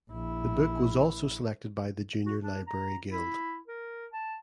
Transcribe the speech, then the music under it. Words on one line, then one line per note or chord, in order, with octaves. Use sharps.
The book was also selected by the Junior Library Guild.
A#1 E4
F#4
D4
A#5
E4
A#4
A5